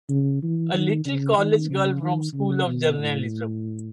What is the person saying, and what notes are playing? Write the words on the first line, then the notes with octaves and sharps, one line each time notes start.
A little college girl from a School of Journalism!
C#3
E3
D#3
C#3
D#3
C#3
D#3
C#3
B2
A2